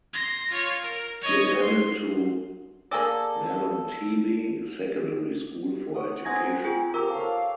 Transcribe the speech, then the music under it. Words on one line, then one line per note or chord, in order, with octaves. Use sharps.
He attended to Mahlontebe Secondary School for education.
C6 A#6
F4 C#5
A#4
C#5 D#5
C6
A#3 G#4 A4 D5
C#5 F#5 D#6
C4 F#5 G#5 A#5 D#6 G#6 A#6
F4 G#4 G5
G4 A#4 A#5 D6 E6
A4 C#5 F5